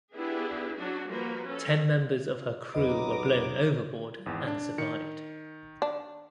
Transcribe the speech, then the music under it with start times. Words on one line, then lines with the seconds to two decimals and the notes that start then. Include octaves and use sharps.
Ten members of her crew were blown overboard and survived.
0.15 B3 D4 E4 G4 G#4
0.76 F#3 C#4 D4 F#4
1.07 F3 G3 A#3 F#4 A#4 B4
1.47 C#4 A4
2.75 B1 E2 F#4 B4 D#5 A#5 D6 D#6
4.26 G#1 E2
4.47 D4
4.78 D#3 C#7
5.82 D4